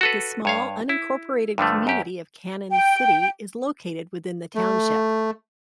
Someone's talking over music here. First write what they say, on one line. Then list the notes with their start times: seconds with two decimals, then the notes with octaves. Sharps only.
The small, unincorporated community of Cannon City is located within the township.
0.01 F#4 A4 B4
0.45 G2 C#5 F5
0.89 E4
1.58 G2 D3 F3 A3
1.87 F#2 G4
2.70 G5
4.55 A3